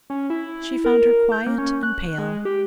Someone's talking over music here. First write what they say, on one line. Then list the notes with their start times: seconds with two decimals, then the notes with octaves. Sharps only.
She found her quiet and pale.
0.10 C#4
0.30 E4
0.84 A#4
1.32 G6
1.47 A#3
1.58 C#4
1.83 F#6
2.18 G#3
2.45 G4